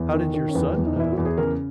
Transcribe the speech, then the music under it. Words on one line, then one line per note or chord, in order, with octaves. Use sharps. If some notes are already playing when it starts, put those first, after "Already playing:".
How did your son, uh,
Already playing: E2
D#3
D#3
C#4
E2 B3
E2
D#4
E2 E4
F#4
E2
G#4
C#3 A#4